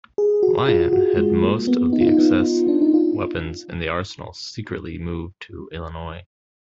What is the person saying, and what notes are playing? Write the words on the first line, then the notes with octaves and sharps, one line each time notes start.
Lyon had most of the excess weapons in the arsenal secretly moved to Illinois.
G#4
F#4
F#4
F4
F#4
G#3
A#3
B3
D#4
F4
D#4
B3
D4
D#4
F4